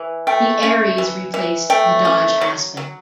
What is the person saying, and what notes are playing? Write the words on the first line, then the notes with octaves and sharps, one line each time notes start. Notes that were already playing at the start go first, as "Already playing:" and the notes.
The Aries replaced the Dodge Aspen.
Already playing: E3
A3 G5
C#4
E3
E3
A3 G5
C#4
F#3
F#3